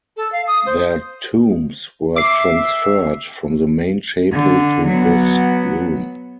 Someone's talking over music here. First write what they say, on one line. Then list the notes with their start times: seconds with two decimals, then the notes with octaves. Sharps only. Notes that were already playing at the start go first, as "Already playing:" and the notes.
Their tombs were transferred from the main chapel to this room.
0.17 A4
0.32 F5
0.47 D#6
0.66 C5
2.16 E5 D6 C7
4.32 D3
4.87 F#3 B3